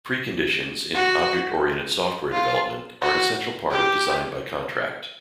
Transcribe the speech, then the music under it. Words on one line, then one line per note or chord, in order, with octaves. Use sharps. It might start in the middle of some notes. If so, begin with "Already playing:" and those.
Preconditions in object-oriented software development are an essential part of design by contract.
F#4
F4
F#4
G4